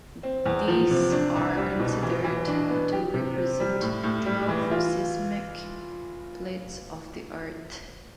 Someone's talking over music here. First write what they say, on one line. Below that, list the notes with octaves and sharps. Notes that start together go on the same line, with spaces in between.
These are considered to represent the twelve seismic plates of the Earth.
C4
E2
F3
C3
D4
C2
G3
B2
E3
E3
D4
B3
G4
C3
C4
G3
A2
A2
G3
E3
F4